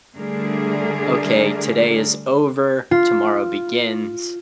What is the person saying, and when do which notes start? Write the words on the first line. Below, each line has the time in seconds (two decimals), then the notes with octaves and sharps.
"Okay, today is over. Tomorrow begins."
0.17 D3 G3 A3 D4 G#4 A#4
2.91 F4